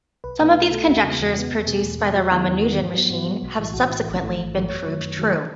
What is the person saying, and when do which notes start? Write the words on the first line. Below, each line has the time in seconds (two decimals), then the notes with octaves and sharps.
Some of these conjectures produced by the Ramanujan machine have subsequently been proved true.
0.24 B1 B4
0.41 B2 A3 B4
0.56 B1
0.71 B2 A3 A4
0.88 E2 F#4
1.03 C#3 G#3 B3
1.20 E2
1.36 C#3 G#3 B3
1.51 E2
1.67 B2 A3 G#4
1.83 E2
1.99 B2 A3
2.15 E2 F#4
2.31 D#3 G#3 B3 E4
2.47 E2 F#4
2.63 D#3 G#3 B3
2.78 G#2
2.94 F#3 B3
3.10 G#2 F#4
3.26 F#3 B3
3.42 B1
3.59 A2 E3
3.74 B1 F#4
3.89 A2 E3 E4
4.06 A1
4.21 G#2 E3 A3
4.37 A1
4.53 G#2 E3 A3
4.69 F#2 C#5
4.85 D#3 F#3 A3 C#5
5.01 F#2
5.17 D#3 F#3 A3